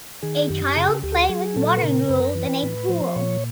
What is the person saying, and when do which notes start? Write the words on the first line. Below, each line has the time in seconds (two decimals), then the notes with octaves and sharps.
A child playing with water noodles in a pool.
0.22 D#3 G#4
0.49 F#2 G4
0.76 C#3 G#4
0.90 G4
1.03 D2 G4
1.12 A4
1.16 G#4
1.29 F#3 G#4
1.56 A#2 A4
1.77 B4
1.82 C#3 A#4
2.09 F#2 B4
2.20 A#4
2.30 B4
2.36 E3
2.63 A2
2.89 F3 C5
3.16 A#2 C#5